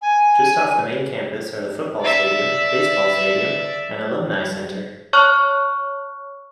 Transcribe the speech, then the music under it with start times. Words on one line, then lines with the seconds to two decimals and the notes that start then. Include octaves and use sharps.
Just off the main campus are the football stadium, baseball stadium, and alumni center.
0.02 G#5
2.01 D5 E5
5.13 C#5 A5 C#6 F6 F#6